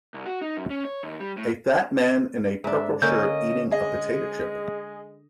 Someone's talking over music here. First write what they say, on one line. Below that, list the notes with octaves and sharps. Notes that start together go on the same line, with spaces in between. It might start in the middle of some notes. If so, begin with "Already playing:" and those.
A fat man in a purple shirt eating a potato chip.
C2
F#4
D#4
F#2
C#4
C#5
D#2
G3
A2
G#2 D4 E5
D3 A#3 C#4 D#5 G6
G#3 G#4 D#5